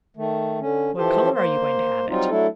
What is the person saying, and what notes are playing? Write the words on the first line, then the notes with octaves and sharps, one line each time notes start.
"What color are you going to have it?"
D#3 A3
D3 C#4
E3 F3 G4 A4 C5
A#3 C5
F#3 G3 C4 D#4 F4
F#3 A3 D4 E4 A4